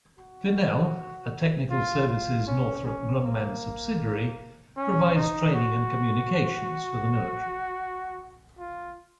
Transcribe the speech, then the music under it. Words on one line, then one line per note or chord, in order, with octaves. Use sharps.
Vinnell, a Technical Services Northrop Grumman subsidiary, provides training and communications for the military.
F#4
F4
F4
C#4
C#4
A#3
C#4
D#4
F#4
F4